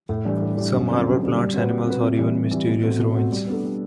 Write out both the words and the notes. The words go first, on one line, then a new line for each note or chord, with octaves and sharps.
Some harbour plants and animals, or even mysterious ruins.
A2
E3 G3 D4
A2
E3 G3 D4
F#2
D3 G3 C4
F#2
D3 G3 C4
G3
C4 F#4 B4
G3
C4 F#4 B4
C3
E3 G3
C3
E3 G3
B2
A3 C4 F#4
B2
A3 C4 F#4
G3
B3 D4 A4
G3